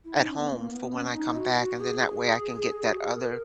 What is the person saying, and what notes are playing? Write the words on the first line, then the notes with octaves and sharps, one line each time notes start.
at home for when I come back, and then that way I can get that other
E4
D#4
C#4
B3
A#3
B3
C#4
D#4
F#4
F#4
G#4
F#4
G#4
A#4